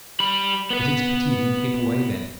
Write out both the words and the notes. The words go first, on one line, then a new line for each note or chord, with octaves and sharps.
But it's a pity you didn't keep away, then.
G3 B5
B3 B4